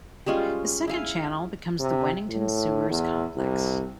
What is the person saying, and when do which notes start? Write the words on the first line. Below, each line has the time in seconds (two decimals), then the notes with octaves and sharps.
The second channel becomes the Wennington Sewers complex.
0.26 G3 G#3 C#4 F4
0.88 E4 F5 G#5
1.79 C3
2.29 A2
2.90 E2
3.37 C2